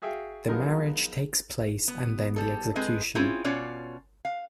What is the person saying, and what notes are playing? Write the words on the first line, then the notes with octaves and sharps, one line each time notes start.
The marriage takes place and then the execution.
F#4 G#4 E5 F5 G5
F3 F#3 G#3 B3 D#4 A#4
B3
G3 A4
G#3 C4 G#4 B4 D#5
C4 C#4 E4 F4 G#4
B2 C#4 F4 C#5 D5
F5